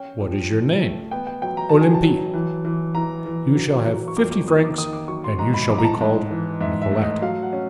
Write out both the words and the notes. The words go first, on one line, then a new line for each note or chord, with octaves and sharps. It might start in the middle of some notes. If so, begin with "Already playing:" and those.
"What is your name?" "Olympie." "You shall have fifty francs, and you shall be called Nicolette."
Already playing: C#4 G5
F3
F3
A3
B3 G5
G5
F#3 G5
A#5
F#3 A5
G#5
A5
F#3
E3
E3
E3 A#5
E3
F#3
F#3
C#6
F2 D6
D6
A#3 D#6
D6
D#3 D#6
D6
F#3 C#6
C6
G#2 A#5
B5
G#2 D6
A#5
A5
G#2
E3
G#2 E5
E5
A3
D#5
F#3 F5
F#5
C#4